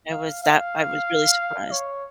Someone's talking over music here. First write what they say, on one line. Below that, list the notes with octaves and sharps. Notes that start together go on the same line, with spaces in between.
I was that I was really surprised.
F5
F5
C#5